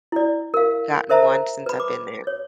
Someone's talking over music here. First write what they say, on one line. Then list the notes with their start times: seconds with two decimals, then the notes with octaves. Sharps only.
gotten one since I've been there.
0.12 E4 D5
0.54 A#4 F5
1.09 A#4 C5 E5 A5 A#5
1.66 B4 B5
1.80 D6
2.27 C#5